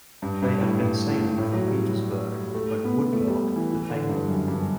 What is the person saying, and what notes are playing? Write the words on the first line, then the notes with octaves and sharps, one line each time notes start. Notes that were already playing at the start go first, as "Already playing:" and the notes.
They had been sailing from Petersburg when "Woodlark" detained them.
G2
G2
A2
G2
A2
A2
F#3
G3
A3
B3
A3
G3
E3
E3
D3
G2
F#2
G2